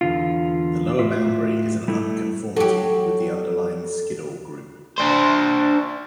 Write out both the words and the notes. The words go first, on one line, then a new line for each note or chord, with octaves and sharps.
The lower boundary is an unconformity with the underlying Skiddaw Group.
E2 D3 F4
A2 F4 E5
G3 A3 E4
F#3 G4 A4
D4 C5